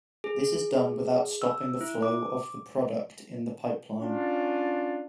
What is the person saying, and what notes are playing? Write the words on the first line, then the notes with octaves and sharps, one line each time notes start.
This is done without stopping the flow of the product in the pipeline.
G#4
E6
E4
D6
C#4 D4 F4